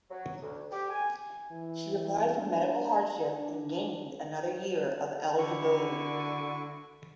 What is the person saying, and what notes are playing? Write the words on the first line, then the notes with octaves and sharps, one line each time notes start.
She applied for medical hardship and gained another year of eligibility.
F#3
D2
G4
G#5
E3
D4
D4
D3 E4 F#4 C#6